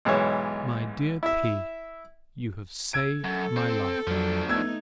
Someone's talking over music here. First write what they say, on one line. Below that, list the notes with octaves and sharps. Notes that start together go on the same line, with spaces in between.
My dear P----, You have saved my life.
B1 G#2 E3 C#5
E4 E5
E6 G#6 D7
F#2 A4
C4
F2 F3 F#3 D4
A3 B3 D#4 E6 G#6